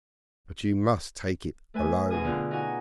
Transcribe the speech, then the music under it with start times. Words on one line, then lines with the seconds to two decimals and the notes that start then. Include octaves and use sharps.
But you must take it alone.
1.74 A3 B4 G#5
2.10 F#2 B2 G#4 G#5 D#6
2.24 D3 B3 F4
2.51 D#4 F#4 D#5 F#5 G#5